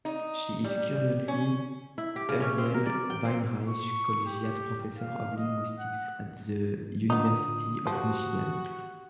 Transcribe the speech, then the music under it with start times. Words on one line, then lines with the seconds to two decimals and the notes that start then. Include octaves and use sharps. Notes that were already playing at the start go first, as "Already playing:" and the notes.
She is currently Uriel Weinreich Collegiate Professor of Linguistics at the University of Michigan.
0.05 D#4
0.64 G3
1.28 C#4
1.98 E4
2.16 G4
2.29 C#3
2.40 C#4
2.58 C4
2.74 A#4
2.86 D5
3.10 G5
3.25 C4
3.69 C#6
4.26 G4
4.98 F5
5.37 D#5
5.79 F#5
7.10 D3 B3 D4 D#4 F4 D#6
7.87 F3 F#4 G4